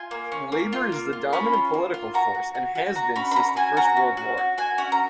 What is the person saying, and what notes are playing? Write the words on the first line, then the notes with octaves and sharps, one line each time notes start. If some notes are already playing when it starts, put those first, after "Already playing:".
Labour is the dominant political force, and has been since the First World War.
Already playing: F4 G#5
A#3
C#4
A#3
F4
A#3
F4
C#4 B5
F4
A#3
F4
F#4 A#5
F#4
F#4
F#4
F#4 A#5
C#4 B5
B5
C#4 A#5
F#4 G#5
F#4 A#5
C#4
F#4
F#4
F#4 G#5
C#4 F#5
A#5